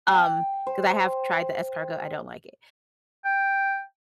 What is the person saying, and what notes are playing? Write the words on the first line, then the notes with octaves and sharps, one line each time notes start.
Um, 'cause I have tried the escargot I don't like it.
G5
C5
G5